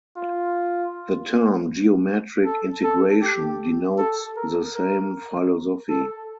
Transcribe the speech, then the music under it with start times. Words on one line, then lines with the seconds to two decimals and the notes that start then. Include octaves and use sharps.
The term "geometric integration" denotes the same philosophy.
0.16 F4
2.45 A4
2.83 A4
3.22 G4
3.98 A4
4.36 A#4
4.75 A#4
5.89 A4